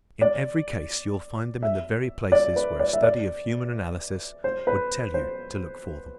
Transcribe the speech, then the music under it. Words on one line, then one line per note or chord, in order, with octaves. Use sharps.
In every case you will find them in the very places where a study of Human Analysis would tell you to look for them.
D5
E5
D5
B4
D5
E5
D5
C5
B4
C5